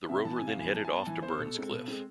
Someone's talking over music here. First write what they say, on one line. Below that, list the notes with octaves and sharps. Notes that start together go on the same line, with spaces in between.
The rover then headed off to Burns Cliff.
C3 E5
E3 B3 A5
G#5
C3
F5
E3 B3 G#5
E3 A5
G#5
B3
A5
E3 G#5
B3 C5
B2 A4
G#3 C4
B2
G#3 C4